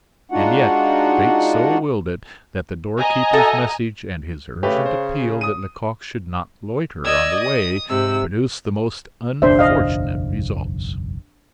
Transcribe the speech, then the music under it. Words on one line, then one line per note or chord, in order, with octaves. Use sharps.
And yet, fate so willed it that the doorkeeper's message and his urgent appeal that Lecoq should not loiter on the way, produced the most unfortunate results.
G#3 D4 D#4 F4 F#4 F#5
D#5 G#5 A#5
F#4 A4 E5
C#3 A3 G4 B4
C5
D#6 D#7
D5 D#5 E6 G#6
D#6
G#2 C3 E6
F#1 B1 E2 D4 C5 E5
D#5 F5